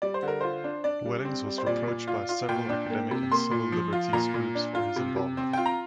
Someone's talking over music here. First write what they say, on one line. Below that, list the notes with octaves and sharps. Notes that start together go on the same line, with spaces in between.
Wellings was reproached by several academic and civil liberties groups for his involvement.
G3 D5
C5
D3
A#4
F4 C5
D4
D4 D5
G3
C4
G3
C5
A#2 D5
A#2
F4
F4
A#2 G5
D4
A#3
C3
A#3 C6
A#2
F3
F4
A#2 A#5
A#2
D4
F4
C3
C3
C4
F4 G5
A#5